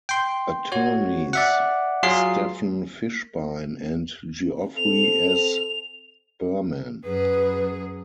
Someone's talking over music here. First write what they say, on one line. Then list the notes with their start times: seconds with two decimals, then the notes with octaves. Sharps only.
Attorneys Stephen Fishbein and Geoffrey S. Berman.
0.09 G5 C6
0.72 F#4 C#5
1.33 D5 E5 F#5
2.03 F#3 F4 G#4 C7
4.77 C4 A4 F7
7.04 F#2 G#4 B4